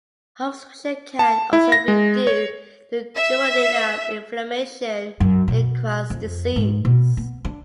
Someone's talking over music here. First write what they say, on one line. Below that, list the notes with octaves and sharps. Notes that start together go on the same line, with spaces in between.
Obstruction can also be due to duodenal inflammation in Crohn's disease.
A5
E4
A#6
G#3
C#5
E5
F#2
B2
F2
G#2
B2
B3
D4